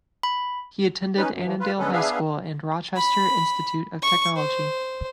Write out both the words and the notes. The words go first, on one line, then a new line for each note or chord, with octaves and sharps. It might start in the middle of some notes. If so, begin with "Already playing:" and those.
He attended Annandale High School and Rochester Institute of Technology.
B5
C#4 D#4 B4
F#2
E3 F3
F4 B4
D3 G#3 B3 C#4 A4 B4
B3 D4 G#4 B4 E5 F5
B5
C#6
C5